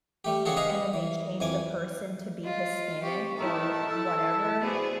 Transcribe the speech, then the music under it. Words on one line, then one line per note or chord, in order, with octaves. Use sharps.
and then they change the person to be Hispanic or whatever,
G3 A3 G4
C#3 G3 F#4 G#4 A4
G#4 B4 D#5 F5
E3
F2 E3 G#5 D6
F4 D#5
C4 G4 C#6
D#3 A3 D#4 E4 E5 A5
A4 E6
B3 F#4 G#4 C5 D5 B5